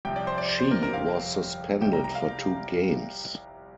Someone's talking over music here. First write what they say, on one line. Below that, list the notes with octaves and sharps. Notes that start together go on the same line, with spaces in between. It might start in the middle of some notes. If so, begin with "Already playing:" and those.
She was suspended for two games.
C2 C3 F3 G5
D5
C5
D5
C5
C5
A#4
A#4
G1 F2 C3 F5
C2 C3 G3 G5
A#5
A#5
F5